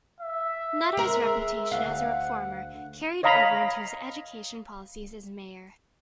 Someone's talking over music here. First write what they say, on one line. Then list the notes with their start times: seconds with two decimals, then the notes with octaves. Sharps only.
Nutter's reputation as a reformer carried over into his education policies as mayor.
0.20 E5
0.97 G#3 A#4
1.72 D2 F5 F#5
3.23 C#5 D#5 F5 A#5 B5